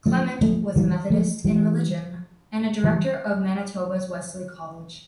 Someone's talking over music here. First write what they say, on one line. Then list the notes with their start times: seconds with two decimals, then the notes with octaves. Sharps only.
Clement was a Methodist in religion, and a director of Manitoba's Wesley College.
0.06 F3 A3
0.41 F3 A3
0.76 E3 G3
1.10 F3 A3
1.44 E3 G3
2.84 E3 G3